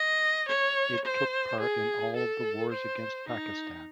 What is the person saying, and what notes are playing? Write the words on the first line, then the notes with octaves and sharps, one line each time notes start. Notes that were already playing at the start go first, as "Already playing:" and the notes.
It took part in all of the wars against Pakistan.
Already playing: D#5
C#5
C5
G#4
A4
C5
D#4